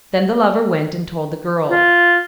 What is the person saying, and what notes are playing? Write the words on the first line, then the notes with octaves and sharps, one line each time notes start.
Then the Lover went and told the Girl.
F4